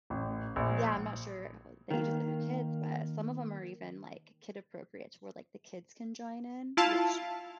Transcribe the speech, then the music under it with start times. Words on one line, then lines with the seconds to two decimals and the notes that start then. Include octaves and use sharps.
yeah, I'm not sure about the ages of your kids, but some of them are even, like, kid appropriate to where, like, the kids can join in, which
0.10 A1
0.56 A#1
1.91 D#3 A#3
6.77 E4 F4 F5 A5